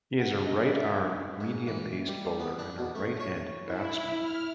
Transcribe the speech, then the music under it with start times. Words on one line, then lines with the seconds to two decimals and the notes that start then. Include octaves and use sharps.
He is a right-arm medium-pace bowler and a right-handed batsman.
0.20 F#5
0.34 C#3
0.47 D#5
0.64 D5
0.77 E5
1.40 G#2
1.67 E3
2.08 G3
2.40 B3
2.59 D4
2.78 B2
2.95 A3
3.20 C#5
3.63 E4
4.16 F6